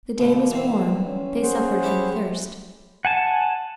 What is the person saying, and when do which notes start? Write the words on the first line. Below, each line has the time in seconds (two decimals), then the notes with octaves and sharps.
The day was warm; they suffered from thirst.
0.19 D2 B2 A#3
0.51 D3 E3 C4
1.06 C#4
1.43 G#4 C5 F#5
1.83 E4 G4 C#6
3.05 F#5 G#5 A5